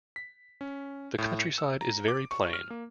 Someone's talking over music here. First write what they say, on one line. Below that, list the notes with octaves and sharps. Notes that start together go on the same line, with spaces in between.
The countryside is very plain.
B6
C#4
A2
C#7
E6
A#5
D6
C#6
F6
A#3